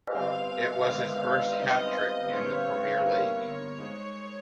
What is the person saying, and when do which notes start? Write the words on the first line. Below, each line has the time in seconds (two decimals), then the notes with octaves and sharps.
It was his first hat-trick in the Premier League.
0.15 G3 C4 G4 C5 F5
0.87 D#3 G#3 D#4
1.59 G3 C4 D#4 D#5
2.33 A#2 G3 C#4 G#4 C#5
3.05 G3 A#3 D#4 A#4 C#5
3.78 G#3 D#4 G#4 C5